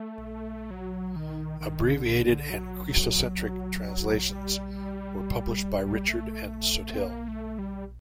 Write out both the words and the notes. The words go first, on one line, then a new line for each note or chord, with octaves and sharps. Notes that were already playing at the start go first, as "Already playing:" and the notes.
Abbreviated and "cristo-centric" translations were published by Richard and Soothill.
Already playing: A3
F#3
D#3
D#3
D3
D3
D3
F#3
G3
A3
C4
A#3
A3
G3